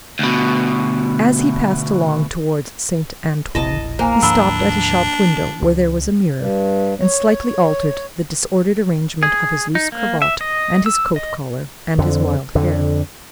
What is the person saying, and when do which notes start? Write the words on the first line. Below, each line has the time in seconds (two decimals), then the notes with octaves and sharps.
As he passed along towards Saint Antoine, he stopped at a shop-window where there was a mirror, and slightly altered the disordered arrangement of his loose cravat, and his coat-collar, and his wild hair.
0.19 D2 B2
3.55 E1 A#1 E4 D#5 A5
3.99 A#3 C5 G#5 A#5
4.23 D2 G#2 F3 D4 A#5 B5 E6
5.62 C#2
6.35 G2
7.00 C#5
9.23 G#4
9.75 D#4
9.92 A#3
10.22 E5
10.41 D#5
10.86 E6
11.16 D#5
11.98 F2 D3
12.55 F2 D3